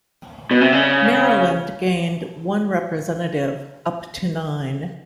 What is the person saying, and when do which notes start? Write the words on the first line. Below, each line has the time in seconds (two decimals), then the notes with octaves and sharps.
Maryland gained one representative, up to nine.
0.51 B2
0.61 C3
0.72 C#3